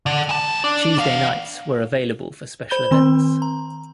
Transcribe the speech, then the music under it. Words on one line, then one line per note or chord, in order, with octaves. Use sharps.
Tuesday nights were available for special events.
D3
G#3 A5
D4
B3 F5
C5 B5 G6 G7
D#3 C4 C6
A#5